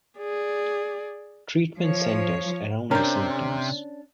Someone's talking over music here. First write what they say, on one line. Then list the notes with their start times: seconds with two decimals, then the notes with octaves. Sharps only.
Treatment centres around the symptoms.
0.19 G#4 D5
1.78 F3 C#5
2.91 C3 C#4 D4 A#4 C5